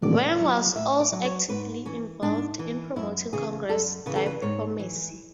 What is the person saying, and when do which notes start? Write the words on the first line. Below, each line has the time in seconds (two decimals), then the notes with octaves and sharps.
Wang was also actively involved in promoting congress diplomacy.
0.02 A2 D5
0.39 F#3
0.76 A2 E5
1.00 D5
1.12 F#3
1.25 C#5
1.49 G#2 B4
1.86 E3 C#4
2.22 G#2 D4
2.59 E3
2.96 F#2 E4
3.33 C#3 E3 G#4
3.69 F#2 A4
4.06 C#3 E3 B4
4.16 A4
4.26 B4
4.42 G#2 C#5
4.80 E3